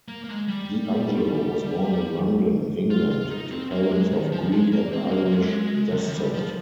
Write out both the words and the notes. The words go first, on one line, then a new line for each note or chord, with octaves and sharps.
Di Angelo was born in London, England, to parents of Greek and Irish descent.
A#3
A#3
G#3
G3
F4
F4
D#4
C4
A#3
A#3
G#3
D#3
F3
G#3
A#3
C4
C4
A#3
A#3
G#3
D3
D#3
F3
G3
F3